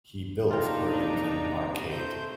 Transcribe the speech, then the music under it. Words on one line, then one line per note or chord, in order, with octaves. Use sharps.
He built Burlington Arcade.
D#2 C3 G3 D4 D#4 F4 A#5
A3 C5 G6